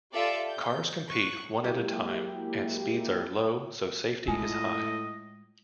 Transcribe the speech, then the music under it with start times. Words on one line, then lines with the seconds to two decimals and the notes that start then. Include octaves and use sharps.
Cars compete one at a time and speeds are low so safety is high.
0.13 F4 G4 A4 D5 E5
0.49 G6
1.07 C#6 F#6
1.63 F#3 G#3 A#3 E4 G4
4.28 A2 G#3 F4 D#5 G#5